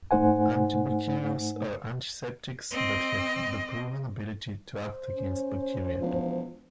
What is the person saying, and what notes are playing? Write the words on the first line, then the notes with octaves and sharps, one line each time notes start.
Antibacterials are antiseptics that have the proven ability to act against bacteria.
G#2 A3 D#4 C5 F#5 G#5
C4 D#5
C5
C#4
E1 F3